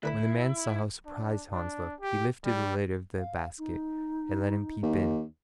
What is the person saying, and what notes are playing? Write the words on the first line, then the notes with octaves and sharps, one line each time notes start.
When the man saw how surprised Hans looked, he lifted the lid of the basket and let him peep in.
D2 E4 B4 B5
D4
D4
G4
G3
F5
D#4
D#2